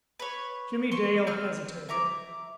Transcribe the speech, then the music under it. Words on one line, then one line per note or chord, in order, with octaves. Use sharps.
Jimmie Dale hesitated.
B4 C#5
C6 C#6
C4 F6
E5 A#5 D6